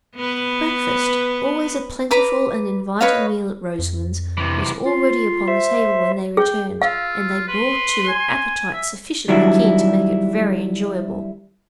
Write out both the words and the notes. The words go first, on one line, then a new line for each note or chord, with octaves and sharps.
Breakfast--always a plentiful and inviting meal at Roselands--was already upon the table when they returned, and they brought to it appetites sufficiently keen to make it very enjoyable.
B3 B4
B4 A#5 D6
B4 C#5 D#5 F5
F2
C3 E3
F4
C5 E5
G#4 G5
F4 F5 E6
B4 C6
G#5
E5
D#3 F#3 G3 D4 E4